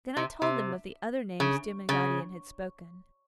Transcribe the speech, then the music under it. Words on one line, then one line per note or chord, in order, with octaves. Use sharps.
Then I told them of the other name Stumm and Gaudian had spoken.
C3
C3
C#3
C#3